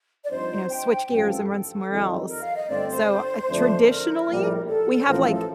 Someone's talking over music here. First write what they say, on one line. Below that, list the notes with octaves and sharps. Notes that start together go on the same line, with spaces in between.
you know, switch gears and run somewhere else. So, uh, traditionally, we have, like,
D5
G2 F3 C4 D#4 C5
G5
A1 G2 F3 C4 G5
A4
F2 D#3 G3 C4 D#4
A#4
F5
D#5
G1 G2 D3 A3 C4 D5
C5
F2 D3 A3 D4
A4
A#4
A#1 A2 G3
A4
C5
A1 A2 F3 A#4
A4
A4